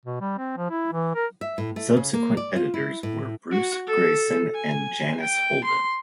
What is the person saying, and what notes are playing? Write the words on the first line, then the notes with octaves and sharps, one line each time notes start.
Subsequent editors were Bruce Greyson and Janice Holden.
B2
G3
C4
F3
E4
E3
A#4
E5
A2
A3
C#3
A#3
D5
F4
E4
A2
F#4
A4
G#5
G5
C6